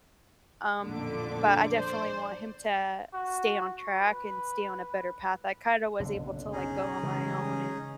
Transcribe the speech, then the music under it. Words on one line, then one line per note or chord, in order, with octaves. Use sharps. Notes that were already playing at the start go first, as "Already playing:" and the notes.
Um, but I definitely want him to stay on track and stay on a better path. I kind of was able to, like, go on my own and
A1 F2 A#2 D3 D6
C5 D5
F#4
B4
F#1 B1 D3
C#4 D#4 G#4
C#3 E3 G#3